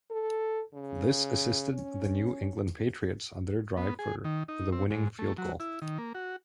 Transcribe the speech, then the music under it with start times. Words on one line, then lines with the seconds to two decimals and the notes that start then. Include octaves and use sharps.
This assisted the New England Patriots on their drive for the winning field goal.
0.11 A4
0.73 C#3
1.72 C#4
3.77 B3
3.99 G#4
4.24 D#3
4.48 D#4
4.72 C4
4.90 G#2
5.19 A3
5.38 F#3
5.60 E4
5.82 D#3
5.98 A#3
6.15 F#4